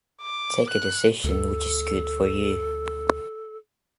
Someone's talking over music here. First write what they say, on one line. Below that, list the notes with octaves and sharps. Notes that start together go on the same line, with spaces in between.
Take a decision which is good for you.
D6
F#6
D2 A4